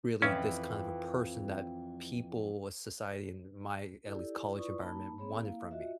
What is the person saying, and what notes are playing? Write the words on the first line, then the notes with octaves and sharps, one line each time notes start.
really this kind of a person that people of society in my at least college environment wanted from me.
F2 E3 C#4
E4 G4 A4 D5
E4 F4 B4 D5 C#6 D#6
A#3 D#4 A5 B5
A#3 C4 G#4 C#5 B5
A#3 E4 F5
F4 F#4 D#5 E5